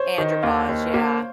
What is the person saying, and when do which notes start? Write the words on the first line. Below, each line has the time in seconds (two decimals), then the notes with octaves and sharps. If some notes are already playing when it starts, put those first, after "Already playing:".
Andropause, yeah.
Already playing: C5 C#5
0.18 D#3
0.43 D#2 F5
0.69 D#2
0.94 A#3